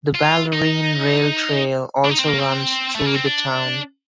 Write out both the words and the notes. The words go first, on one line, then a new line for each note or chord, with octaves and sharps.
The Bellarine Rail Trail also runs through the town.
F4
D#4
D4
D#4
C4
A#3
C4
A3
A#3
C4
D4